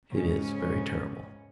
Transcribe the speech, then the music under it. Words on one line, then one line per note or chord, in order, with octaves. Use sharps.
It is very terrible....
G#2 C#3 G#3 C#4